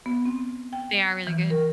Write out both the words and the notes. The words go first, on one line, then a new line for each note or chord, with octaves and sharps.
They are really good.
B3
C4
G5
E3
A#4